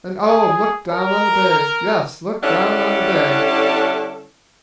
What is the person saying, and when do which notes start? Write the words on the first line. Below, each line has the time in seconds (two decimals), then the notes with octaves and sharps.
And, oh, look down on the bay; yes, look down on the bay!
0.25 G#4
0.92 A#4
2.42 D3 G3 C#4 D4 E4 A4